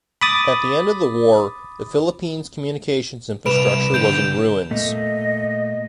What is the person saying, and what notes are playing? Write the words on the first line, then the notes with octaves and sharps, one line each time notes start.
At the end of the war, the Philippines' communications infrastructure was in ruins.
B5 D6 D#6 A6
C2 B4 B5 D7 E7 F7
B1 D3 G6 D7 F7
A#2 A3 D#5